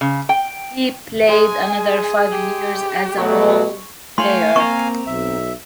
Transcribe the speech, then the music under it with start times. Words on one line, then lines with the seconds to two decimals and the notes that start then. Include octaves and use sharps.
He played another five years as a role player.
0.01 C#3
0.29 G5
1.29 G#3 G#4 D#5 G#5
2.31 G4
3.18 B2 F#3 A3 C#6
4.18 A3 C#5 F5 G5 G#5 C6
4.56 A#3 C4 A#5 C#6
5.07 B1 E5